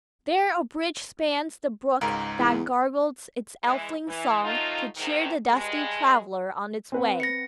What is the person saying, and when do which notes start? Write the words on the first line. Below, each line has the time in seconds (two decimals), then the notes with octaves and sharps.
There a bridge spans the brook that gurgles its elfin song to cheer the dusty traveler on its way.
2.01 C#2 G#2 A#4 F5
2.39 E2
3.64 E3 G#3
4.07 E3
4.43 F3 F#3 A3 D#4 F4
4.97 E2 G#2 D#3
5.49 G2 G#3
6.92 C4 B4 F#5
7.20 A#6 C#7